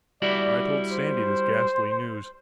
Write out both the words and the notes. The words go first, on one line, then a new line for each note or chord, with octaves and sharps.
I told Sandy this ghastly news.
G3 E4 F#4 D5
C5